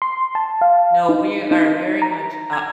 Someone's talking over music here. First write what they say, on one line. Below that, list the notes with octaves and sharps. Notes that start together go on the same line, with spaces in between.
No, we are very much up.
C6
A5
F5
D#4
D#4
A#5
G#6